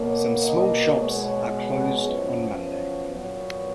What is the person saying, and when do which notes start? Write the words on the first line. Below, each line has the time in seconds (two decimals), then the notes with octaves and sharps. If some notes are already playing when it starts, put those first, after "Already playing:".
Some small shops are closed on Monday.
Already playing: B2 A#3 C#5
0.43 D#5
0.96 B2 G#3 B3 C#5
1.51 C#5
2.05 F#2 F3 B3
2.59 C#5
3.13 A#2 F#3 B3 C#5